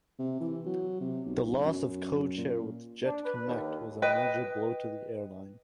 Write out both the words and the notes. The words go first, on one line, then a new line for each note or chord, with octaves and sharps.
The loss of the code-share with Jetconnect was a major blow to the airline.
C3
E3
F#3
C3
B1
F#2
A#2
D4
B4
D#2
B4 D#5 G5